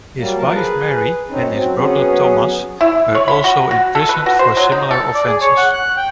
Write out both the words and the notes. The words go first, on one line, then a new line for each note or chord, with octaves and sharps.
His wife Mary and his brother Thomas were also imprisoned for similar offences.
F#3 G3 A#3
F3 A#4 A5
G#4 B4
F#2 C4 C#4 D#4
F#3 C4
F#3 B3 C#4 G#4
E4
C#5
B5
F#4
F#4
A4
B4
F#4
C5
F#3
D#4
A4
D5
G#4
C#5
F#5
F#6
G5